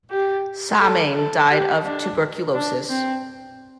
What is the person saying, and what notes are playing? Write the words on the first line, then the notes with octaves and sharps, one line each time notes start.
Samain died of tuberculosis.
G4
A4
A4
G4
D4
D4
C4